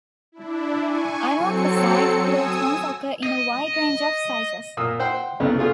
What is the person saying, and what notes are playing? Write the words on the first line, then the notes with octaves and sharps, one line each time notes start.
Anorthosite plutons occur in a wide range of sizes.
D4 E4
G#5 C#6
F#3 C4 A4 C#7
G#5 D#6 E6
D#5
A#2 A#3 D#6 E6
C5 F#5 G5 C6
C2 C#3 A3 B3
A3 F4 G#4